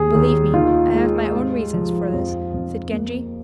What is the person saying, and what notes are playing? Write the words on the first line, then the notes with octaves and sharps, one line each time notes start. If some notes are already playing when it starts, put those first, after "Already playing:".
"Believe me, I have my own reasons for this," said Genji.
Already playing: D#2 G#4
D#2
D#3 F4
G#3
G#2
F3
F2
F2
A#3